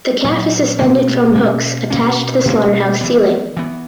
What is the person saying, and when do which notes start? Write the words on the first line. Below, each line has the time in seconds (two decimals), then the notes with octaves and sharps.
The calf is suspended from hooks attached to the slaughterhouse ceiling.
0.24 A#2 F#3 A#3
0.79 B2 A#3 C#4
1.35 B2 A#3 C#4
1.90 B2 A#3 C#4
2.45 B2 A#3 C#4
3.01 E3 B3
3.57 E3 B3